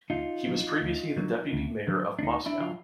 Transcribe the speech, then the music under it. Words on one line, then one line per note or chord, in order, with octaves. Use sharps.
He was previously the deputy mayor of Moscow.
D2 D#4 F4
D3 F#3
D2
D3 F#3
D2
D3 F#3
D4
D2 D#4
D4 E4
D3 F#3 F4